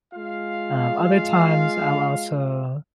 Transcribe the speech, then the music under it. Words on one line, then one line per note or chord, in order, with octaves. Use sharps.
Um, other times I'll also,
G#3 F4 F5